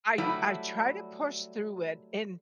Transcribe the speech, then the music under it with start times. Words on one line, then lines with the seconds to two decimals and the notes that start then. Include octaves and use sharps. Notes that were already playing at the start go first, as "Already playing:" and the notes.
I I tried to push through it, and
0.18 F#3 G3 A3 E4